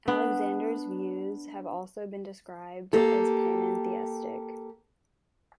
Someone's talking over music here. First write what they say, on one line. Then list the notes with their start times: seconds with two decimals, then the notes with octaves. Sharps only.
Alexander's views have also been described as panentheistic.
0.08 B3 D4
2.93 A#3 G4 A4